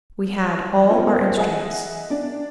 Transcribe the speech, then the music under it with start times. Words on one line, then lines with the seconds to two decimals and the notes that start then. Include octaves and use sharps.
We had all our instruments.
0.89 B3 C#4 F4 A4 A#4 C5
1.37 G#4 D#5 E5 F#5 G#5
2.10 D4 D5